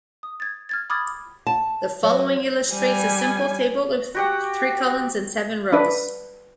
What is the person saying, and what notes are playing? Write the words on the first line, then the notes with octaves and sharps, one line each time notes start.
The following illustrates a simple table with three columns and seven rows.
D#6
G#6 A6
F6 G#6 A6
B5 D6 D#6 F6 G#6 A6
A5
F#3
G3 G#5
F#4 G4 F#5
D4 B4